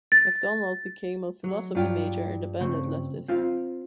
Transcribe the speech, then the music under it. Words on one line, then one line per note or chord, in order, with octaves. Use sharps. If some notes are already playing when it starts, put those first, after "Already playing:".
MacDonald became a philosophy major and abandoned leftism.
A6
F#3
G2 F#3 F4 G5
C#3 A3 C4
C4 F4 F5